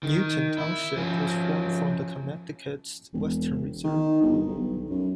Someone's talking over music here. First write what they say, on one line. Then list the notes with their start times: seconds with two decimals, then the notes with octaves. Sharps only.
Newton Township was formed from the Connecticut Western Reserve.
0.03 D#3
0.58 E4
0.96 F3 C#4
3.13 E1
3.84 D#3
4.21 G1
4.46 B1
4.90 F#2